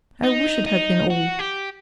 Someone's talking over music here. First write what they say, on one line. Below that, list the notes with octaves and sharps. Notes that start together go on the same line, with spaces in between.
I wish it had been all.
D#4
D#4
F#4
G4